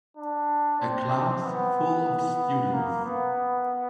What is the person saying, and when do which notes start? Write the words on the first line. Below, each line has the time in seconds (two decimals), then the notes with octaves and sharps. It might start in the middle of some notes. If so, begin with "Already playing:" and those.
A class full of students.
0.17 D4
0.80 C4
1.44 B3
2.72 A#3
3.05 B3